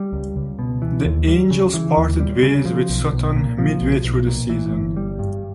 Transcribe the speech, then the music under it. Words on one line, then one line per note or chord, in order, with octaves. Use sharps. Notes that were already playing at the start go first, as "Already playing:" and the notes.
The Angels parted ways with Sutton midway through the season.
Already playing: G3
C#2
C#2
B2
E3
D#2
G3
C#3
E3
D#2
G3
C#3
F3
B1
B1
A#2
F3
B1
B1
A#2
E3
G1
G3
G2